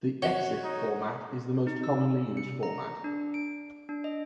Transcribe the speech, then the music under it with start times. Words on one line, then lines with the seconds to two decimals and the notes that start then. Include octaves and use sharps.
The Exif format is the most commonly used format.
0.22 F#4 C#5 F#5 G7
0.64 D#4
1.67 D#4
1.84 E6
2.37 C#7
2.63 A#5
3.04 D4
3.34 D7
3.89 D4
4.04 D#5